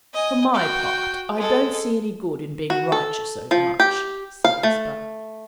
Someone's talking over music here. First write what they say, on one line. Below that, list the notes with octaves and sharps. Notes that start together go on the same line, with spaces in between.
"For my part, I don't see any good in being righteous overmuch," said Hesper.
D#5 G#5
F#4 G5
G#3 A4
F#4
A4
F3
G4
F5
A3